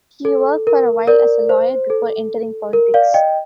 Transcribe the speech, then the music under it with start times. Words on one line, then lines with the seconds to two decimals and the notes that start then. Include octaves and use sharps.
He worked for a while as a lawyer before entering politics.
0.25 A4
0.67 A#4
1.08 A#4 D5
1.49 C5
1.90 A4
2.73 A#4
2.94 D5 F5
3.14 D#5 G5